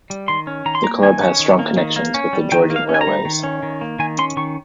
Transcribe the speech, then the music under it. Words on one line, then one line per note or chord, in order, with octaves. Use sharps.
The club has strong connections with the Georgian Railways.
G3
D#3 C6
C#4
D#3 A#5
C6
A#3 A#5
D#3 G#5
C#4
D#3
A#3
D#3
A#3
C#4
G3
D#3 G5
A#3
F5
C#4
G#5
A#5
G3
D#3
C#4
D#3
A#3
D#3 G#5
C#4 C6
D#3 C#6